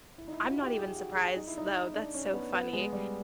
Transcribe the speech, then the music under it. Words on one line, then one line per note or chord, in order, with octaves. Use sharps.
I'm not even surprised though, that's so funny.
E4
D#4
E4
F4
F#4
G4
G#4
F#4
G#4
D#4
E4
D#4
D4
C#4
B3
B3
G#3
G3